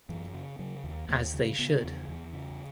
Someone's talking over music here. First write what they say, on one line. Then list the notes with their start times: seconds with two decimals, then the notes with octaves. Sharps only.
As they should.
0.09 F#2 E3
0.34 C#3
0.59 C#3 F#3
0.84 D#2
1.08 D#2 A#3
1.34 C#3
1.59 C#3 B3
1.75 B3
1.83 E2
1.92 E3
2.08 E2 E3
2.33 C#3